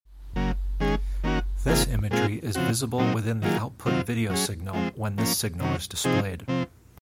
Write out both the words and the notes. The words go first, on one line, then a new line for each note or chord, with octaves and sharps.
This imagery is visible within the output video signal when this signal is displayed.
C#3 F#3 A#3
D#3 G#3 C#4 G#4
D#3 A#3 C#4 F#4
C3 D#3 A#3 F4 G#4
A#2 G#3 C4 F4 G#4
C#3 F3 C4 F#4
A#2 F#3 C4 D#4
D#3 F#3 A#3 F4 G#4
C3 D#3 F#3 C4 F4
F#3 C#4 G#4
F3 G#3 C4
F3 A#3 C#4
C3 D#3 F#3 C#4
C3 F3 C4 D#4 G#4
C3 F3 C4